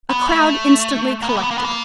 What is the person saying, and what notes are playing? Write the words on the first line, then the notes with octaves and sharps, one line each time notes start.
A crowd instantly collected.
B3
A3
A#3
B3
A#3
B3
A#3
B3
A#3